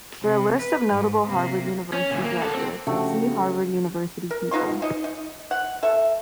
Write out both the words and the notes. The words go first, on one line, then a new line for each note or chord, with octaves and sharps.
For a list of notable Harvard University graduates, see Harvard University people.
C3
B4
G#2
C3 A#3
C#4
D2 A#2
A#3
F#4 A4
C4
C#3 F3 A3 C#4 D4 F#4 G4 G5
A#4
B2 D#4 F4 C6
D#4 D#5
D#4
F#5
A4 E5